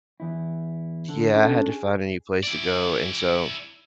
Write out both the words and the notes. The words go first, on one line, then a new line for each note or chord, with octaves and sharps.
yeah, I had to find a new place to go, and so
E2 E4
D3
C#4 D4 A4
G#4
E4 D5